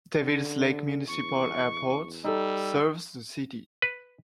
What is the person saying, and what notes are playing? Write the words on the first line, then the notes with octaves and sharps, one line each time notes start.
Devils Lake Municipal Airport serves the city.
D3
E2 C#6
G3 D#4 A4 E6
B4